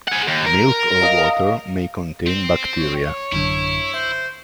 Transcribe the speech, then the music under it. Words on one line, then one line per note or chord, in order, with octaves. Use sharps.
Milk or water may contain bacteria.
G#4 F#5
D#2
A#4
D#5 F5
C4
C#5
A1 F#2 D3 E4
C5 E5